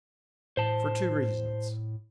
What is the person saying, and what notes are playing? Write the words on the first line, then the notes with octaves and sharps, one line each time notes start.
"For two reasons."
A2 C5 A5